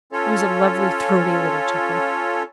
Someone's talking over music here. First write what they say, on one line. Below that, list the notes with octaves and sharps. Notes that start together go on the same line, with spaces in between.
It was a lovely throaty little chuckle.
C#4 F4 A4 C#5